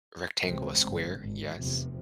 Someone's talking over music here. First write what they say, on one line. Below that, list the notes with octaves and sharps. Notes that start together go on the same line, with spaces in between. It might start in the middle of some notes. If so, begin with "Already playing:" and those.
rectangle a square? Yes.
C#2 C3 E3 G#3 C4
G1 G#2 D3
G#1
F1 E2 C3 F3